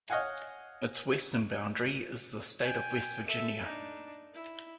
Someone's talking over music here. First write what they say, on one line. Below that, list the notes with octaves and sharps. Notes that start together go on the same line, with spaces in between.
Its western boundary is the State of West Virginia.
C#5 D#5 F5 F#5 G#5
G5 G#5
A4 E5
D4 D#4
E4